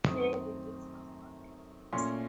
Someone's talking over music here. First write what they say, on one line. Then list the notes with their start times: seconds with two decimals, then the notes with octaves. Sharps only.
Clearly this was not the case.
0.07 F#2 D#3 A3 C4 D#6
1.93 A#2 A3 C#4 C6